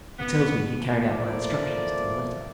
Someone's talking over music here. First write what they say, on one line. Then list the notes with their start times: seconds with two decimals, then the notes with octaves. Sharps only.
He tells me he carried out my instructions to the letter.
0.19 B3
1.08 F3 A#3 E4 A4 C5 D5